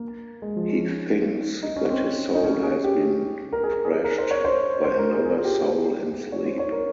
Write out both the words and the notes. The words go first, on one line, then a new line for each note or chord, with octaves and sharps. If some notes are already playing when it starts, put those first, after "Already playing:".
He thinks that his soul has been thrashed by another soul in sleep.
Already playing: A#3
G#3
F3
C#4
D#4
C#4
C4
D#4
C#4
G#4
G4
A#4
G#4
G#4
A#4
C5
C#5
C5
C5
A#4
G#4
G#4
F4
G4
G#4
C#5
C5
C#5
A#4